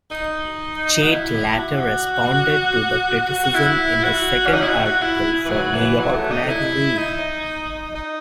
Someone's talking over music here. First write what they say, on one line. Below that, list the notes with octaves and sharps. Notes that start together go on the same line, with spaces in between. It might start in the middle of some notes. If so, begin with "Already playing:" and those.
Chait later responded to the criticisms in a second article for "New York Magazine".
D#4
F#4
E4
F#4
F#4
E4
F#4
C#4
D#4
E4
F#4
F#4
E4
E3
F#3
E3
F#3
A3
D#4
E4
D#4
D#4